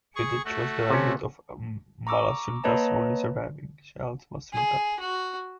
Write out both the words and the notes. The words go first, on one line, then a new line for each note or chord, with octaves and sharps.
Vitiges was the husband of Amalasuntha's only surviving child, Matasuntha.
G#4 C#6
A3 F#4
C3 C#4
A#5 C#6 D6 E6
A#3 B4 C#5 D#5 A5 A#5
G#4
F#4